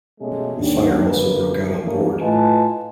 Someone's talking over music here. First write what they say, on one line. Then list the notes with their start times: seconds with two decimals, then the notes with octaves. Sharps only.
A fire also broke out on board.
0.19 B2 G#3 A3 C#4 G4 G#4
0.57 D#2 G#2 F#3 G3 D4
1.05 G1 F#2 A#3 B4
1.83 E3 G3 A3 A#3 C#4 E4
2.21 A2 F4 B4 D#5 G#5 A5